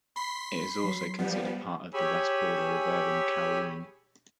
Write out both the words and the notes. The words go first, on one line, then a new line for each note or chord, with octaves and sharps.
It is also considered part of the west border of urban Kowloon.
B5 C6 B6 C7
F#3
F3 G3 B3
G4 G#4 C#5 G#5 B5 E6